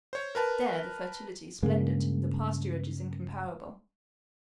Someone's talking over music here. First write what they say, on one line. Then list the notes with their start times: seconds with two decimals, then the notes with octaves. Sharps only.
There the fertility is splendid; the pasturage is incomparable.
0.13 C5 C#5
0.35 A#4 B4 A5
1.62 G2 C#3 G#3 A#3